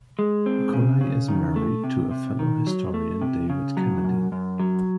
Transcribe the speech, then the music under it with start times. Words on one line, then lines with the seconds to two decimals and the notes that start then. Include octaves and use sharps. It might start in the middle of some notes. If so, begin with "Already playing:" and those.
Colley is married to fellow historian David Cannadine.
0.19 G#3
0.46 C4
0.73 C#3
1.01 C#3
1.28 D#3
1.56 A3
1.84 C3
2.11 C3
2.39 D#3
2.67 F#3
2.94 A3
3.21 C3
3.50 C#3
3.77 F#3
4.04 F#2
4.32 F#2
4.59 F#3